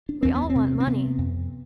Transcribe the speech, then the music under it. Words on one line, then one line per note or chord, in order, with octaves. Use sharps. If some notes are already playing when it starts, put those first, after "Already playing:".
We all want money.
D4
E2 C4
B3
C4
C3
C4
C3 B3
F2